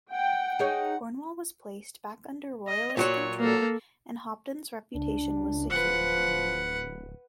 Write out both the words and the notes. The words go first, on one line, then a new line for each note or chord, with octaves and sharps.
Cornwall was placed back under Royalist control and Hopton's reputation was secured.
F#5 G5
D#4 G#4 C#5
D#5
A#2 F#3 F#4 C#5
A#3 A4
C#2 D4
D1 F3 B4 F#5